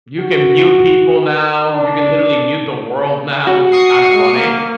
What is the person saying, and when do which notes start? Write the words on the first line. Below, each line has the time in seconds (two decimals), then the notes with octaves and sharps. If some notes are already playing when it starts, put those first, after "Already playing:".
You can mute people now. You can literally mute the world now, which is kind of funny.
0.19 F#4
1.71 D4
3.47 F#4
3.72 C#6 D#6 C7
3.96 F#5
4.12 G#3
4.32 A#3